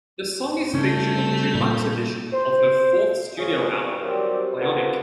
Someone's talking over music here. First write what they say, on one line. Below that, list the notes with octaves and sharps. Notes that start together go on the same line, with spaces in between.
The song is featured on the deluxe edition of her fourth studio album "Bionic".
C#3 G3 A3 C#4 G6
A#2
C5
F3 F#3 G#4 C#5 F5
G2
D#3 F#3 G3 C4 G4 D5
C2 F3 A#3 B3 A4 F#5